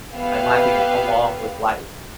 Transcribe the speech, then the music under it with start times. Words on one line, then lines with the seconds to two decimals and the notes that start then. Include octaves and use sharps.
I'm laughing along with life.
0.14 B3 G4 B4 E5 F5